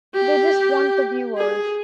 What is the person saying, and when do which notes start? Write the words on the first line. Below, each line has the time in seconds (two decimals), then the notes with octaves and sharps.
They just want the viewers.
0.14 G4
1.37 G#4